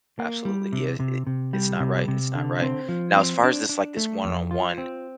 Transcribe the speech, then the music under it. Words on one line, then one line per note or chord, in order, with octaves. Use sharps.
absolutely. Yeah, it it's not right it's not right. Now as far as this, like, this one-on-one,
A#3
G3
C3
C3
C3
G3
C3
C3
D3
C4
F3
C4
D4
D4
A3
F2
F4
C4